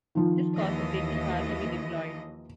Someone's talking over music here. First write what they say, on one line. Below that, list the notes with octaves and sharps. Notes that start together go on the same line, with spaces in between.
This caused the safety car to be deployed.
D#3 F3
D#2 E3 D#5